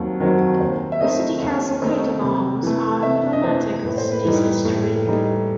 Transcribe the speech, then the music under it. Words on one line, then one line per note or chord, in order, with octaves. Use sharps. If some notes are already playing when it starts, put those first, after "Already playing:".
The city council's coat of arms are emblematic of the city's history.
Already playing: D#2 D#3 F#3 C4
D#3 F#3 C4
D#2 C5
E5
D#3 A3 C4 D#4 D#5
D#2
D#3 A3 C4 D#4
C3
E3 A3
C3 E5
D#5
E3 A3 C5
A2 B4
C5
B4
E3 G3 D#4
A2
E3 G3 D#4